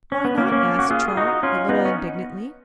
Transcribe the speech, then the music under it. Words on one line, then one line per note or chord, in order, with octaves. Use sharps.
"Why not?" asked Trot, a little indignantly.
C#4
B3
A#3 C#4
A#3 C#4
F#4
F4 G#4
G#4
D#4 F#4
C#4 F4
B3 D#4
C#4